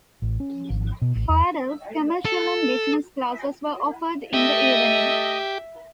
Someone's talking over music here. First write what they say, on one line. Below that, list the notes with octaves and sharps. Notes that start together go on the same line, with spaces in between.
For adults, commercial and business classes were offered in the evenings.
A1
C#4
G#1
B2
A1
E2
A4
A3 G4 D#5 E5